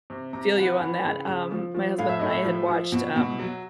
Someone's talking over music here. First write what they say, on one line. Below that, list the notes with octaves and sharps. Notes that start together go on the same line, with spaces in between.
feel you on that, um, my husband and I had watched, um,
C3
C3 A#5
E3 F#5
E3
C#3
C#3
F3
F3
A2 F5
E5
A2 D#5
E5
F3
F3
B2
B2
F#3